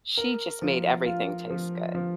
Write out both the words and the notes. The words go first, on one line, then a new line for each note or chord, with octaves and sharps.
she just made everything taste good.
A#4
F3
F4
F3
F3